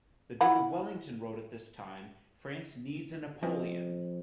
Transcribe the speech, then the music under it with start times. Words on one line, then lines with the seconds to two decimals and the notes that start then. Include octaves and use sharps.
The Duke of Wellington wrote at this time, France needs a Napoleon!
0.41 E4 F#5 B5
3.43 F2